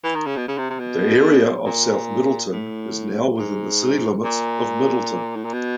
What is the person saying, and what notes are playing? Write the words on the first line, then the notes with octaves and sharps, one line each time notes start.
The area of South Middletown is now within the city limits of Middletown.
E3
D#3
C#3
B2
C#3
C3
C3
B2
A#2
A2
G#2
A#2
A2
A#2
B2